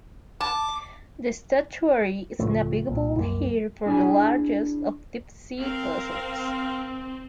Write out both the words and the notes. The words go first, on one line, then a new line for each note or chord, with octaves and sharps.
The estuary is navigable here for the largest of deep-sea vessels.
A5 D6
C#2 A2 F3 A3
C2 A#2
C2 F#2 F#3 A#3
D4 E4 G#4 D5 G#5
C4 A#4 F5